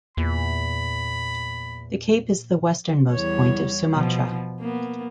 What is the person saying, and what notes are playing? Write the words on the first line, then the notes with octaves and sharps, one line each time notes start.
The cape is the westernmost point of Sumatra.
E2 A#2 B5
E2 G3 C#5
B2 F3
A#3 B3